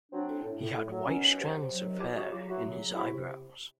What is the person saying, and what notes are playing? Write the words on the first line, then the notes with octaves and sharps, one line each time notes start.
He had white strands of hair in his eyebrows.
F#3 C4 D4
A2
A2
A2
A2
F#3
D#3 B3 C#4
F#3
C3
C3
F#3
D#3
F#3 F4 G4
C#3 F#4 G#4
F#3 F4 G4
F#3 E4 F#4
F#3
C#3
C3 E4 F#4
C3